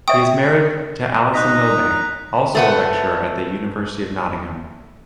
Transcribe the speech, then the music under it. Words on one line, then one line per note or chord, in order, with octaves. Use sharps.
He is married to Alison Milbank, also a lecturer at the University of Nottingham.
D5 E5 G5 C#6 D#6
D#4 D#5 A#5 F#6 G6 B6
A3 B4 F#5